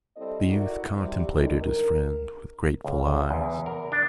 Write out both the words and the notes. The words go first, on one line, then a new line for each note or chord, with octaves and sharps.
The youth contemplated his friend with grateful eyes.
G3 C4 E4 A4 D5 D#5
E4 F#4 A#4 D5
C3 G3
F#2 D3 D#4
A#4
C#2
E2
A#4
D4